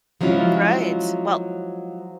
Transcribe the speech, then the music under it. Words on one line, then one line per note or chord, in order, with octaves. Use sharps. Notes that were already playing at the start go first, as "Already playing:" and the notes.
Right, well,
F3 F#3 G#3 C#4 E4 F4